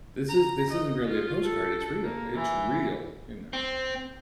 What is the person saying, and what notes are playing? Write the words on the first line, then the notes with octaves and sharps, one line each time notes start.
this is this isn't really a postcard, it's real, it's real, you know.
A#5
D#5
F4
A4
A#3
E3
C4